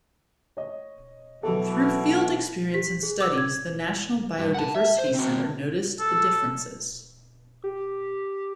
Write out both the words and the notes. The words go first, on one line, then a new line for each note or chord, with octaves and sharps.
Through field experience and studies, the National Biodiversity Centre noticed the differences.
C#5 D#5
B2 E3 F#3 A4
G4 B6
G#4
D6 E6
G#6
G2
F#5 A5
E5
C5
C4 F#4
A4
G4